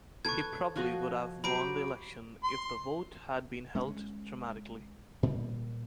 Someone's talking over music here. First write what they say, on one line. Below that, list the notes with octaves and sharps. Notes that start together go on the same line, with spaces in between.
He probably would have won the election if the vote had been held democratically.
A4 B4 C#6 G#6
F3 F#4 D#5
F#3 G4 C5 B5 D7
C6
G#3 C#4
A#2 G3